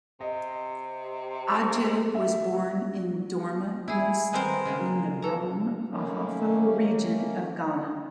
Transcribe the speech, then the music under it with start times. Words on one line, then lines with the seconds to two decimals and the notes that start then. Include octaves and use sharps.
Adjei was born in Dorma East in the Brong Ahafo Region of Ghana.
0.21 C3 D#5
2.15 E5
3.88 E4 G#4
4.33 D#3 G#3 B3 C4 A#4 C5
4.65 C#3 G#3 A#3
5.22 A4 A#5
5.88 D#3 A3 A#3 C#4